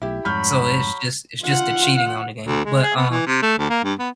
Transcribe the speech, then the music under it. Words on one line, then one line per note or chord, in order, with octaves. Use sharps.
So it's just it's just the cheating on the game. But, uh,
B1 A3 E4 G4
F2 G#2 F#3 G3 B5 F6 G6
F4 F#5
D2
G#3
G#4
B3
E3
C3
A3
D2
A#3
G2
B3